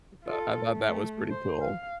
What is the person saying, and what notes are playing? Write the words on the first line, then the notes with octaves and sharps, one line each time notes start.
Uh, I thought that was pretty cool.
F4 A4
A3
C5
F5